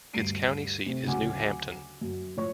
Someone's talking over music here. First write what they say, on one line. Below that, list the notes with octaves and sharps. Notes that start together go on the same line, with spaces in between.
Its county seat is New Hampton.
D2 G2 C7 D7 D#7
C3 A3 C4
D2 C#3 F#3 F#5 G#5 D6
F#2
A2 F3 C#5 C#6